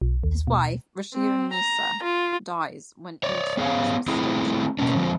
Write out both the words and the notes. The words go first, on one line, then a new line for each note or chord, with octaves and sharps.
His wife, Rashid-un-Nisa, dies when Imtiaz was still a child.
B1
D#2
B2
C4
A#5
F4
C#5 D5
B3 G#4 A4 C#5 F5
A3 C4 E4 G#4
B2 A#3 C#4 D4
D3 F3 G#3 C4